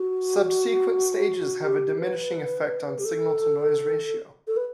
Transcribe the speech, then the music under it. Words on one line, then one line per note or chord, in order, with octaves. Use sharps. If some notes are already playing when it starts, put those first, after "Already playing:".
Subsequent stages have a diminishing effect on signal-to-noise ratio.
Already playing: F#4
G4
B4
G4
A4
A4
B4